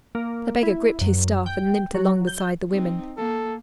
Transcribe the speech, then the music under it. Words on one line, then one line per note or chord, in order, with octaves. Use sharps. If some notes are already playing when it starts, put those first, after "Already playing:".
The beggar gripped his staff and limped along beside the women.
A#3
E4
F#2
G5
F#3
G6
C4 D#4
A#3 A4